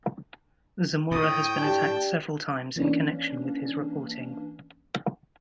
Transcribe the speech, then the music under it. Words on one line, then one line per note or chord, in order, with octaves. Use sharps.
Zamora has been attacked several times in connection with his reporting.
A2 G5 D#6
D4 G4 A5
E3 A#3 C#4 D4